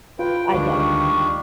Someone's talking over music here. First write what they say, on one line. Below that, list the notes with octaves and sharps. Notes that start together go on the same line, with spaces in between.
I get it.
F4 B4 G5
D2 D#3 G3 G#3 D4 C#6